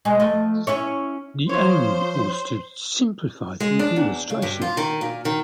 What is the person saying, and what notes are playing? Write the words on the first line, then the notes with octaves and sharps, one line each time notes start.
The aim was to simplify the administration.
B2 G#3
F3 A3 D#5
C#4 E4 C#5
F2 F3 C5 C#5
G#3
D4
E2
C#3
G2
F4
D#3
A#2
D#3